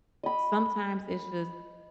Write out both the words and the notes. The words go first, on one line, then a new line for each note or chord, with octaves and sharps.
sometimes it's just
D#5 B5